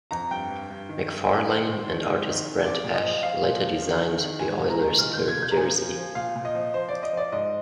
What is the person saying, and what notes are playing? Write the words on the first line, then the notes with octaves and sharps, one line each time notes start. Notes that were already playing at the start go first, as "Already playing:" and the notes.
McFarlane and artist Brent Ashe later designed the Oilers' third jersey.
F2 A#5
G2 G5
G2
G2
D#3
G2
G2
D#3 C5
G#2
D#3
G#2
D#3
D#3
F3 D5
A#2
D#5
F3
F3 F5
A#2
F3
D#3
D#3
D#3
G#2 G#5
G#2
A#5
D#3
A#2 F6
A#2 G6
G#6
A#2 G6
A#5
F3 G#5
F3
F3
A#2 F5
A#2
D#5
F3
F3 C5
F3 D5
D#5
F3 D5
G#2 D#5